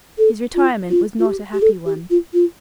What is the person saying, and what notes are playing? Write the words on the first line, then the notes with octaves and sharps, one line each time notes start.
His retirement was not a happy one.
A4
F4
F4
F4
G4
G4
A4
G4
F4
F4